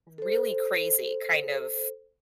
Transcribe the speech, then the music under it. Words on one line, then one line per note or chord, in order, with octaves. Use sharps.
really crazy kind of,
A4 C5